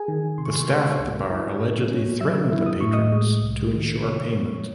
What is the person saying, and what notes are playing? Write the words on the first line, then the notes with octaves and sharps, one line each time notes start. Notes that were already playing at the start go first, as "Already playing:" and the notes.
The staff at the bar allegedly threatened the patrons to ensure payment.
Already playing: G#4 G#5
D#3
C3 C6
C#6
C6
C#6
G#3 C5 C6
C#5 C#6
C#2
E4
A2
C#4
F#3 E5 E6
E4
D#6
A2 C#6
D#5 D#6
G#3
C2
D#3
C3 C#5 C#6
G#3